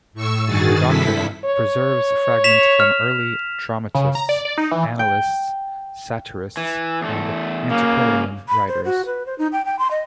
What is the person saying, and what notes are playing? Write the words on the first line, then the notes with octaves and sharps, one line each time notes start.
The "Doctrina" preserves fragments from early dramatists, annalists, satirists, and antiquarian writers.
A2 C#6 E6
G2 D#3 F#4 G#4 G#5 A6
G2 C3 E4 A4 B6
C#5
B6 E7 F7
F6
C#3
A#5
D5
D5
D#4
E3
G5
E3
E2 A3
C#3 F#3 A#3
B5
C5
F#4
B4
C5
D#4
G5
G5
C6
D#5